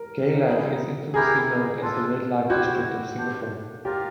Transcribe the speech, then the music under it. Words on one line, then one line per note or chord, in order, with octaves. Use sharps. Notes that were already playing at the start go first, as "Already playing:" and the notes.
Geylang is infamously known as the red-light district of Singapore.
Already playing: A#4
G3 C4 D#4 G#4
E4 G4 G#4 A#4
D4 F4 A4
C4 E4 F#4 G4 C5
D4 G4 C5
F4 G4 A#4 D5 F5